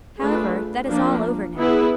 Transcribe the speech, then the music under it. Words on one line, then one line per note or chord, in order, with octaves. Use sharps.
However, that is all over now.
A3 D4 F4 G#4 B4
F3 A#3 D4
B3 E4 G#4 B4